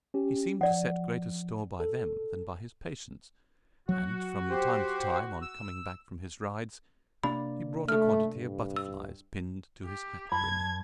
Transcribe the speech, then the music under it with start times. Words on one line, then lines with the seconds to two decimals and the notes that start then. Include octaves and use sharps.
He seemed to set greater store by them than by his patients, and, from time to time, on coming back from his rides, he brought a quantity of butterflies pinned to his hat brim.
0.14 C#4 G4
0.61 F3 D5 F#5
1.80 A4
3.89 F#3 F#4
4.50 G4 C5
5.42 E6
7.24 C3 A#3 D4 B5
7.89 A3 A4 F6
8.35 G2
8.76 E6
9.85 G4
10.32 F#2 A5 B5 G#6